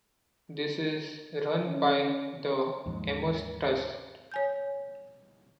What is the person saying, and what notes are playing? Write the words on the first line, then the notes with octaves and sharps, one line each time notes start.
This is run by the Amos Trust.
C#4
D#2 G#2 F3
C#5 G#5 G6